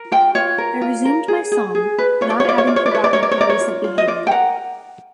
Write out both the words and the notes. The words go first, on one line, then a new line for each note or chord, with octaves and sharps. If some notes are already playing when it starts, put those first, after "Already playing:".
I resumed my song; not having forgotten her recent behaviour.
Already playing: A#4
F4 G5
F4 C#5
A#4
F4
A#4
G#4
G#4
G#4
B4
F4 C#5
D5
C#5
F4 D5
C#5
F4 D5
C#5
D5
B4 C#5
D5
A#4 C#5
D5
C#5
A#4 D5
C#5
F4
F4
D#5
F4 D5
G5
A#4 F#5